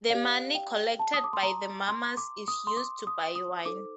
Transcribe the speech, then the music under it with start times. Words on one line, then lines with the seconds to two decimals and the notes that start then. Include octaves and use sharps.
The money collected by the mummers is used to buy wine.
0.10 G4 D5 F5
0.55 G5
0.99 A5
1.14 D#6
1.24 D6
1.33 C6
1.43 A#5
1.89 C6
2.17 D6
2.48 D#6
2.67 C6
2.77 D6
3.07 D#6
3.36 D#6
3.65 D#4 A4 C5 D6